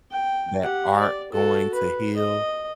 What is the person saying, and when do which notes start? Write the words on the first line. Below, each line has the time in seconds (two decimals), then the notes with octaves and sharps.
that aren't going to heal
0.11 G5
0.62 G4 F#5
0.99 D5
1.32 F#4 A4
1.74 B4
2.17 D#5